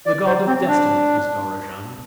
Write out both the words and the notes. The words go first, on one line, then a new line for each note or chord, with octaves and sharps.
The god of Destiny is Dorozhand.
D5
C5
C4
D4